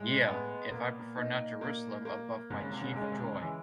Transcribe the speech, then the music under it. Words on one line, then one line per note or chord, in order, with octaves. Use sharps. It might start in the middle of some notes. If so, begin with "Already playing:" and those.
Yea, if I prefer not Jerusalem above my chief joy.
Already playing: A2 G#3
B3
A#2 A#3
D#4
A#3
A#3
G#2 C3
C#3
C3
C#3
C3
G#3
C#3
C3
C#3
C3
C#3 E3